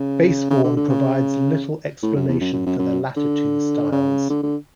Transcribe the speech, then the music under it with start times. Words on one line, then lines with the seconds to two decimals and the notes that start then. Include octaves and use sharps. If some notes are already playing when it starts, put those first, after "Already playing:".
Basevorn provides little explanation for the latter two styles.
Already playing: C#3
0.51 C#3
0.64 D3
0.76 D3
0.89 C#3
2.03 A2
2.16 F#2
2.28 E2
2.41 F#2
2.53 F#2
2.66 F#2
2.79 F#2
3.16 D3
3.92 C#3
4.30 D3
4.43 D3